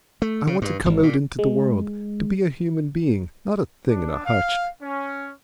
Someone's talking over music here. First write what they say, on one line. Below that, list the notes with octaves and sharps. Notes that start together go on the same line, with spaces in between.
I wanted to come out into the world, to be a human being--not a thing in a hutch.
A3
C#3
G2
G#1
A#2
G#3
D4
F5
C#4